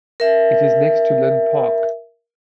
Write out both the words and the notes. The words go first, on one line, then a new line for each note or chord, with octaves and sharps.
It is next to Linn Park.
A#4 E5